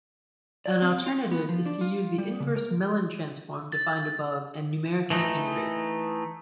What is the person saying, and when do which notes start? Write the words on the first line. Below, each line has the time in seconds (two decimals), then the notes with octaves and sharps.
An alternative is to use the inverse Mellin transform defined above and numerically integrate.
0.66 D5
0.82 C4
1.06 F4
1.31 B3
1.49 F3
1.66 D4
1.81 F4
2.18 G3
2.40 C#3
2.56 A#4
3.72 A6
5.10 E3 A3 D#4